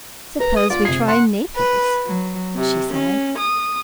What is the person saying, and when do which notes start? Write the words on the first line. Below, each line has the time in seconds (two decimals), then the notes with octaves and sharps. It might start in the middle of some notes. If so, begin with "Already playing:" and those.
"Suppose we try Naples?" she said.
0.40 B4 A#5
0.56 D#6
0.70 F4 D5 F5
0.85 C3 G#4 C7
1.08 F#5 C6
1.56 B4
2.05 F#3
2.55 C3
2.92 C#4
3.38 D#6